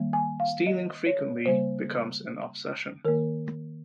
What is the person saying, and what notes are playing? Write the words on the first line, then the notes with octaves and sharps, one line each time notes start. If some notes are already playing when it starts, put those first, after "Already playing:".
Stealing frequently becomes an obsession.
Already playing: D#3 G3 A#3
G#5
F5
D#5
C#5
C#3 G3 A#3 C5
D#3 A#3 A#4